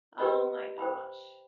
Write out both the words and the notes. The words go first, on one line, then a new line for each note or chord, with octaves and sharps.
Oh my gosh.
G4 B4 D#5 B5
C5 G5 B5